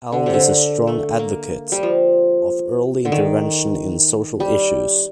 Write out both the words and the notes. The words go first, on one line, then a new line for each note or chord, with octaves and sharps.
Allen is a strong advocate of early intervention in social issues.
D3
C3
D3
A3
A#3
G3
F3
D3
D#3
G3